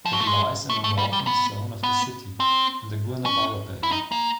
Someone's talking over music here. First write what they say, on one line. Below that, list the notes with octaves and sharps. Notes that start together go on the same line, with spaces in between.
It lies in the northern zone of the city, in the Guanabara Bay.
F3
F#3
A3
G#3
A3
A3
G3
G3
B3
B3
C4
C#4
E4
D#4
A#3